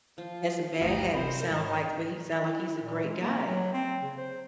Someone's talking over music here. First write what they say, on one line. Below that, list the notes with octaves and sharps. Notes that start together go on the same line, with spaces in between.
Had some bad habits sound like, but he sound like he's a great guy.
F3 F4
G1 D2 D#4 F#4 F5
C3 A#4 C5 D#5 B5
G#2 C#5
E4
A#2
G#3
A#3
F#3
C4
C#3
C5